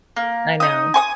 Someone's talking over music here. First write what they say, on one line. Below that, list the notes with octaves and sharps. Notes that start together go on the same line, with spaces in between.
I know.
A#3
D#4 D#6
G#5 C#6 D#6